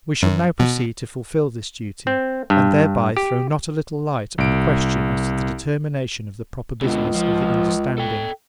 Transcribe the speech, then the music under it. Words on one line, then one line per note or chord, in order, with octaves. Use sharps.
We shall now proceed to fulfil this duty, and thereby throw not a little light on the question as to the determination of the proper business of the understanding.
F#2
B2
C4
G2
G4
C2 D7
C#2 B2 D3
F3
A4 G5